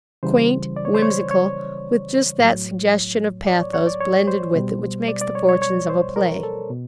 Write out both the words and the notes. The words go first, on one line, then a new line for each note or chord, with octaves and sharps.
Quaint, whimsical, with just that suggestion of pathos blended with it which makes the fortunes of a play.
C#3 E3 G3 C5
D5
C#5
C5
C#5
C#5
A2 F#3
D5
C#5
C#5
D5
C#5
C5
B2 G3
D5
D5
C#5
C#5
C#5
C5
A#4
A4
B2